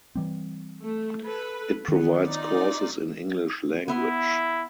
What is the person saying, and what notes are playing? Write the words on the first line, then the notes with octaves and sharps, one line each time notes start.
It provides courses in English language.
E3 G3 C4
A3
A4 B4
D#3 B3
D#4 F4 D5
B3 E4 E5 C6